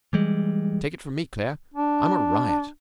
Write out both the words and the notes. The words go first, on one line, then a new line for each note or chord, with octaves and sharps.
Take it from me, Claire, I'm a riot.
E3 G3 G#3
D4